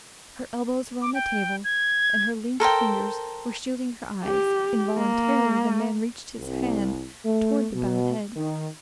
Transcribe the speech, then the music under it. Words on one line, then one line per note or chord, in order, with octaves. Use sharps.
Her elbows were on the table, and her linked fingers were shielding her eyes. Involuntarily the man reached his hand toward the bowed head.
D6
G5
G#6
A4 A#4 C5 G5
G4
A#3
C2
A3
B2
D#3